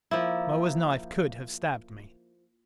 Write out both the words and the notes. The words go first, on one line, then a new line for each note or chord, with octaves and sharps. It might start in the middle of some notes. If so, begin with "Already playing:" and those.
Moa's knife could have stabbed me.
F3 A#3 E4